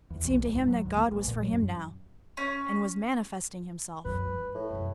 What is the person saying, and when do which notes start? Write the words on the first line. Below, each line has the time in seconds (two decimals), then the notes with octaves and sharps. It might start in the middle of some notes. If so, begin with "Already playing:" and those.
It seemed to him that God was for him now, and was manifesting Himself.
0.10 E2
0.25 B1
0.44 D1
0.56 G#2
0.68 F#3
0.86 D2
0.97 A#3
1.12 A1
1.28 A#2
1.41 F#3
1.53 F#2
2.37 C#4
4.05 F#2 F#3 B4
4.28 F3
4.55 A2
4.70 F#2 C3